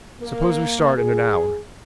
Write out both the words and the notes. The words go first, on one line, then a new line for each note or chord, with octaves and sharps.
Suppose we start in an hour.
A#3
G#4